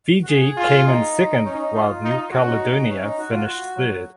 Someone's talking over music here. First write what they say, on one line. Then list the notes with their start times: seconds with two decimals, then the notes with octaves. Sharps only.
Fiji came in second while New Caledonia finished third.
0.23 F#4
0.28 G#4
0.42 G#4
0.57 F4
0.86 D#4
1.44 C#4 D#4
1.59 D#4
1.73 D#4 F4
2.03 D#4
2.31 F#4
2.40 C#4
2.46 D#4
2.89 C#4
3.03 D#4
3.18 F#4
3.31 F4
3.43 F#4
3.76 F#3